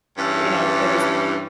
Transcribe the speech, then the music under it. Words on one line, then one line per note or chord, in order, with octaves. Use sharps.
you know, it was
G2 E3 C#4